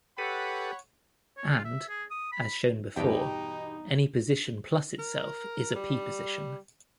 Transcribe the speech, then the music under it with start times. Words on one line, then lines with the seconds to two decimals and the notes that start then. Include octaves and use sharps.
And, as shown before, any position plus itself is a P-position.
0.18 G4 A4 B4 C#5 F#5 B5
1.37 C#5
1.49 F4
1.65 E5
1.89 G#4
2.11 D#6
2.32 B5
2.96 E2 G2 B2 D#4 G4 G5
4.99 A#4
5.75 G3